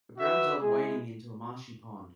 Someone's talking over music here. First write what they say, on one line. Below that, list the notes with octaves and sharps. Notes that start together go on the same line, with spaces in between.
A brown dog wading into a marshy pond.
F#4 B4 E5
G#3 E4 G#4